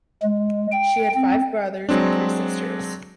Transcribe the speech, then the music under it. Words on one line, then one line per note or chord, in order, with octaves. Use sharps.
She had five brothers and three sisters.
G#3
G5
C4
F#3 G#3 C4 D4